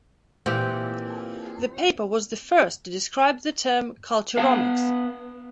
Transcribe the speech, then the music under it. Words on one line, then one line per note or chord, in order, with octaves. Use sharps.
The paper was the first to describe the term culturomics.
A#2 E3 C4 G4
B3 B4 F5